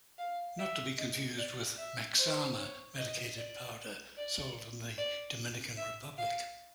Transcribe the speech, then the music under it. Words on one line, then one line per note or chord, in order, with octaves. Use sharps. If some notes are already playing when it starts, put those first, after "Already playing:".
Not to be confused with "Mexana" medicated powder, sold in the Dominican Republic.
F5
E5
D#5
D5
E5
C5
C#5
D#5
D5
D5
D5
E5
F5